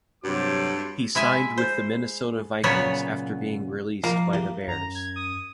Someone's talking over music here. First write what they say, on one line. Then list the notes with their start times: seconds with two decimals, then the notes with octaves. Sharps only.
He signed with the Minnesota Vikings after being released by the Bears.
0.24 G2 C3 F#3 A3 F#4 C6 D6
1.15 G#3 E4 E5 G#5
1.58 C5
2.64 A#2 C#3 F#3 B3 B4 C#5
4.04 F3 A#3
4.33 E3 G4
4.68 F#2 A#5
4.95 G#6
5.16 D#6